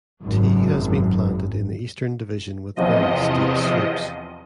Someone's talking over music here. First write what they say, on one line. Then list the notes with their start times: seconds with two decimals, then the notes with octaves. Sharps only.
Tea has been planted in the Eastern Division with very steep slopes.
0.23 G#1 F#2
2.76 E2 C3 F3 D#5